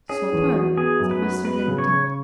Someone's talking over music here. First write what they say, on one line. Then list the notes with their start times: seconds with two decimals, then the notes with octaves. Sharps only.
"Supper?" said Mr. Linton.
0.09 C#4 G#4
0.32 E2
0.54 F#4
0.77 B3 G#4
0.99 F#2
1.11 B4
1.22 F#4
1.44 B3 B4
1.67 C#3
1.78 C#5
1.89 C#3